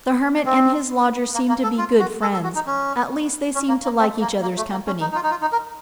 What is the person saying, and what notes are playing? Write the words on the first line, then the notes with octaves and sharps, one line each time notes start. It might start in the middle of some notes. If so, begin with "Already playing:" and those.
The Hermit and his lodger seem to be good friends, at least they seem to like each other's company.
C4
A#3
A#3
A4
F4
F#4
A4
A4
F#4
D#4
C#4
C#4
A#3
A#3
C4
A#3
A#3
A3
A#3
C#4
D#4
D#4
F4
D#4
F4
D#4
A#4